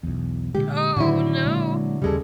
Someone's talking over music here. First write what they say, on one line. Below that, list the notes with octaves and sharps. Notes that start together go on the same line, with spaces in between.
Oh, no.
B1 E2
A#2 D3 G#3 G4
A2 D3 D#3 F#3 E4
A#2 G#3 A#3
D#2 C#3 G3 G#3 A4